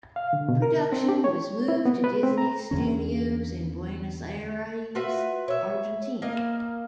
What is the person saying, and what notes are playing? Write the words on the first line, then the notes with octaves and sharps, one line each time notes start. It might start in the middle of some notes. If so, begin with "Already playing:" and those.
Production was moved to Disney's studios in Buenos Aires, Argentina.
F5
D3
B2
A#4
C4
G4
C#5
E4
B3
B4
C4
A#5
E2 D3 C#4
F4 F#4 B4 E5
C#5 E5
A#3 D#5 F5